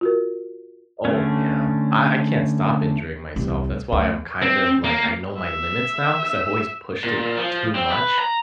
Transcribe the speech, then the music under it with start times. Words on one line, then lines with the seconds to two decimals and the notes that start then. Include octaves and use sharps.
Oh, yeah. I I can't stop injuring myself, that's why I'm kind of like, I know my limits now, 'cause I've always pushed it too much.
0.01 F4 F#4 A#4
1.05 D3 A3 C#4
3.36 C2
3.92 D2
4.42 C4
4.84 A#3
5.41 E5
7.04 A#2
7.37 F3
7.75 C4
7.91 B4
8.19 A#5